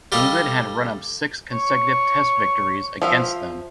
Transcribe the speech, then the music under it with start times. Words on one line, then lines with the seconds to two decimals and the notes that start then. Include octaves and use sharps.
England had run up six consecutive Test victories against them.
0.12 G3 G4 A4 D#5 F5
1.52 C#5
3.02 F3 E5 F5